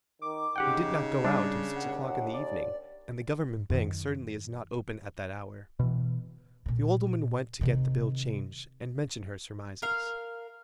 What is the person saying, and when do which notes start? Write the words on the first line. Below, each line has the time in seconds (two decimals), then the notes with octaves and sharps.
"He did not go out until six o'clock in the evening, and the government bank certainly is not open at that hour." The old woman went to get the bill changed, and mentioned her surmises.
0.22 D#3 D6
0.56 C#3 D#4 G4 F#5 G5
1.25 G3 D4
1.76 D#2 F#5
2.34 D5
3.70 F#2 D#3
5.80 B2 E3
6.66 A#2 D3
7.61 C3 D#3
9.82 A#4 F5